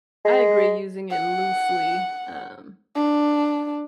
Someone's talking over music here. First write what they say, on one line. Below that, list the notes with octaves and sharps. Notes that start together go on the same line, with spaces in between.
I agree, using it loosely, um
G#3
F#5
D4